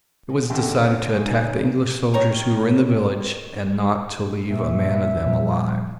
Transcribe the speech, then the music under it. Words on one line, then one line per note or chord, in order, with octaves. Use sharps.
It was decided to attack the English soldiers who were in the village and not to leave a man of them alive.
B2
D#2 D3 G4
C#4 D5
G#3 D#4 G#4 C#5
E2 D#4 F#4 G#5
C#3
D#3 A#4 C#5 A#5
A#2 E5
A#2 F3 G3